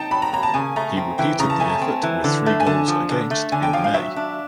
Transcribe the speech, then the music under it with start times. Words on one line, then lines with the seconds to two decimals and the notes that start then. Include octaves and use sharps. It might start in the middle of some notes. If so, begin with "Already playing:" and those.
He repeated the effort with three goals against in May.
Already playing: D#4 G5 A5
0.11 F#3 B5
0.22 A#5
0.33 A#3 A#5
0.43 A5
0.54 C#3 G#5
0.76 A3 A#5
0.97 C4
1.18 E3 G5
1.39 C#3 A#5
1.50 A5
1.60 A3 G#5
1.70 A5
1.81 C4
2.03 E3
2.24 D3
2.46 A3
2.60 G#5
2.67 D3 A5
2.88 F3
3.10 D3
3.31 A3
3.52 D3 G#5
3.63 G5
3.73 F3 F5
3.84 F5
3.94 F#3 E5
4.16 D4